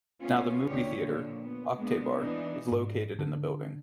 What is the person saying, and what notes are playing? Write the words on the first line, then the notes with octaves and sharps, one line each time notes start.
Now the movie theater "Oktyabr" is located in the building.
A3 B3 C#4 F4
D#2 D3 G4 C#5
A#2 D3 F3
B3
G#3 A#3 B3 D4
E3 B3 D4 D#4
G#2
D3